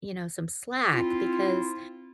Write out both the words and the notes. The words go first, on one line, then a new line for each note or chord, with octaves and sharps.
you know, some slack, because,
C4 E4 F4